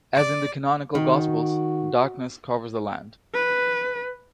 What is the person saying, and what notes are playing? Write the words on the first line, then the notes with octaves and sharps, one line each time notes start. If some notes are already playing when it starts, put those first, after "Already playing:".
As in the canonical Gospels, darkness covers the land.
D5
D#3 F#4
B4